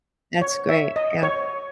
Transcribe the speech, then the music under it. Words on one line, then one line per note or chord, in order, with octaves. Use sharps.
That's great, yeah.
C#5
E5
D#5
C#5